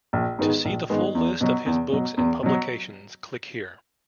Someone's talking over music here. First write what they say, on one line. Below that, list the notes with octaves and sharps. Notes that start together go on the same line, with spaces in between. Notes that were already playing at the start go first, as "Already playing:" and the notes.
To see the full list of his books and publications click here.
A#1
G#2 D#3 G#3 B3
A#1
G#2 D#3 G#3 B3
E2
B2 F#3
E2
B2 F#3
E2
B2 F#3